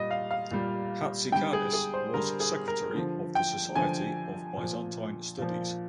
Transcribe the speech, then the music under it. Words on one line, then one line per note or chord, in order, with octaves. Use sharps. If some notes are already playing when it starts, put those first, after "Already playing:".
Hatzidakis was secretary of the Society of Byzantine Studies.
Already playing: A#2 G3 D#5
F5
F5
A#2 G3
D3 G3 G5
G#4
G#4
C5
D3 G3 A#4
G#4
A#4
D3 F3
G5
D3 F3 G#5
A#2 F3
A#2 F3